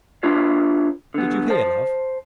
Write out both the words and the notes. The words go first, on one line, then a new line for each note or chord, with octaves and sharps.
Did you hear, love?
D4 E4 F4 B4 C#5
D3 B3
C5 A5